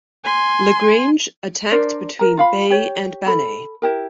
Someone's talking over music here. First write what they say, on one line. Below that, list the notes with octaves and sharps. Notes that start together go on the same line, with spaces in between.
Lagrange attacked between Baye and Bannay.
G#5 C6
D4 A#4 C5 D5
A#4 A#5
F4 F5 B5
G4 C#5
A4 B5
E4 G4 A#4